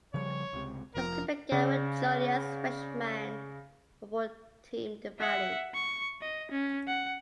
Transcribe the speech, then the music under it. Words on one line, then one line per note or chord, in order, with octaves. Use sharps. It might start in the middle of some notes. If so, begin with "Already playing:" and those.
The split began with Joliet's Freshmen football team dividing.
C#3 F3 G3 C#5
C#2 C3
F1 F3 A#4
C#3 D5
E5 F#5
C#6
D#5
C#4
F#5